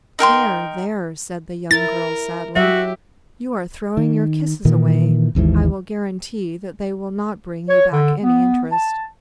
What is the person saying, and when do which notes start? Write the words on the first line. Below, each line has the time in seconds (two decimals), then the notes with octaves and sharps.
"There, there," said the young girl, sadly, "you are throwing your kisses away; I will guarantee that they will not bring you back any interest."
0.19 D#4 A#4 G5 C6
1.71 E4 A#4 A6
2.56 F#3 F#4 G4 E5
3.97 D#3
4.65 A#2 D#3 E3
5.35 G#1 D#2 G#2 E3
7.68 C#5
7.92 D3
8.23 B3
8.71 A5